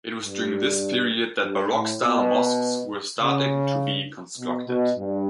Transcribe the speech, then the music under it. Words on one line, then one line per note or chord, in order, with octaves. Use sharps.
It was during this period that Baroque-style mosques were starting to be constructed.
G2
G2
A2
B2
C#3
B2
B2
G2